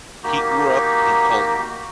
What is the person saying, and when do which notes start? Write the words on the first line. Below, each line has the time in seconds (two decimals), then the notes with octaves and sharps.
He grew up in Kolding.
0.23 A#3 D#4 F#4 G4